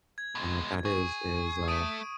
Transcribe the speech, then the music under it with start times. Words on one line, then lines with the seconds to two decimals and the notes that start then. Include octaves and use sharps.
and what that is is, uh,
0.18 G#6
0.35 B2 G#3
0.85 G#4 C#6
1.68 A3 D#6 D7 D#7